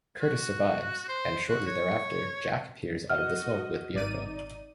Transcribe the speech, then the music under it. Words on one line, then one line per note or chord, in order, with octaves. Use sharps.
Curtis survives and shortly thereafter Jack appears out of the smoke with Bierko.
F#4
C5
F#4
C#5
F#4 D#5 F6
G#1 D#4 D5 D#7